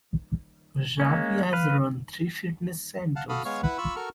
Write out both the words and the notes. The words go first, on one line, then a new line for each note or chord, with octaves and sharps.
Zappia has run three fitness centres.
G#3 A#3 C#4
B4 F5
F5 F#5 A5
F#4 A4 F5 B5 D#6
G#3 B3 C#5 F5 C#6
E4 B4 F#5
F4 B5 C#6 E6
F#4 A4 A#4 C#6 F6